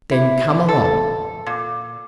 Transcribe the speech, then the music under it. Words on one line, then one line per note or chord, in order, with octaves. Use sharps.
"Then come along."
E4
A4
A#2